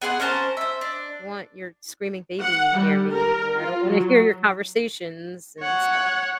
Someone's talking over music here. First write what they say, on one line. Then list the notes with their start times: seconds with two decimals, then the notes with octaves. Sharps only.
want your screaming baby near me," or, "I don't wanna hear your conversations and stuff."
0.02 B3 G#4 F#5 C6
0.20 C#4 A#4 C5 A5
0.57 C5 E5
0.81 D4
2.40 F#5
2.76 G3
3.12 A#4
3.57 F4
3.91 F#3
5.60 C#5 F#5